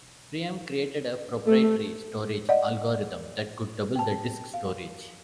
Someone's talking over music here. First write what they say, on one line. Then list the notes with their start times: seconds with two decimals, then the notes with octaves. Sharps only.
Priam created a proprietary storage algorithm that could double the disk storage.
1.46 A3
2.49 D5 D#5 F#5
3.96 G5 A5
4.54 F5